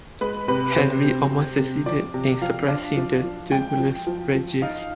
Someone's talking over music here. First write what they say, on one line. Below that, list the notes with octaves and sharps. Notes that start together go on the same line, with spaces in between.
Henry almost succeeded in suppressing the "Titulus Regius".
G#3 B4
C3 B4
C3 C5
C3
C3
C3
F3 D5
C3
F3 F5
D4
F3
F3
G#3 G5
F3
F3
F3
D#4 F5